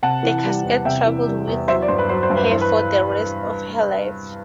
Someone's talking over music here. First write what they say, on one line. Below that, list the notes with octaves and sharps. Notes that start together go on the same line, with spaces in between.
The casket travelled with her for the rest of her life.
C3 F#5 A5
E3
G3
E2
C3 E5 G5
E3
G3
E2
F#3 C5 E5
D5
G2 C5
B4
F#3 C5
C5
G2
B4
E3 C5
B4